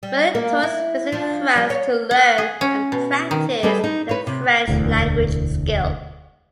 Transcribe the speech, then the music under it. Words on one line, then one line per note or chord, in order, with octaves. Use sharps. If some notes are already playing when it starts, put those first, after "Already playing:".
Many tourists visit France to learn and practice their French language skills.
G3
A#3 A#4
E4
F3 D4
F3 G3
C#5
F#5
G#4
C#4
B2
D#3
G3 G#4 A4 B4 D#5
D#4
B4 C#5
C3
E1 D2 A2